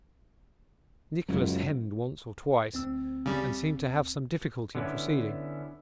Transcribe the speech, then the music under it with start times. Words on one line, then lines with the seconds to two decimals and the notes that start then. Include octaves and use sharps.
Nicholas hemmed once or twice, and seemed to have some difficulty in proceeding.
1.28 F#1 C#2 F#3
2.74 D2 C4 E6
3.26 C#3 G3
4.75 D3 B3 C#4 E4